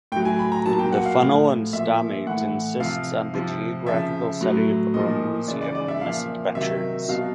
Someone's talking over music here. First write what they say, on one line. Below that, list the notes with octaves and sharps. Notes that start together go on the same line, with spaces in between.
"The Funnel and Stamate" insists on the geographical setting of Urmuzian misadventures.
A2 F#3 G5
G#5
B5
A#5
A#2 F#3 A5
G5
F#5
F5
A2 F3
A#2 F3 E5
A2 E3 F#5
C3 F3 F5
C3 F3
C#3 F3 E5
A2 F#3
A#2 D#5
F3
C#3 E3 D5
D5
D5
E5
A#2 F3 F5
C3 D#3 F#3 E5
B2 F#3 F5